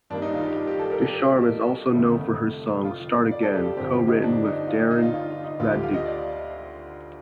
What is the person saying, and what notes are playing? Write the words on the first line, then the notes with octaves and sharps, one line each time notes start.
Ducharme is also known for her song "Start Again," co-written with Darren Radtke.
G2 D#3 G3 A#3 D4
D#4
F4
G4
G4
G4
A4
A#4
G4
F1 F2 D3 A3
F4
D5
A4
G4
F4
G1 G2 F3 C4 G4
G4
D#4
D4
D#4
F4
D#4
D#4
F4
F4
F4
D#4
D2 D3 F3 F4
G4
F5
D#5
D5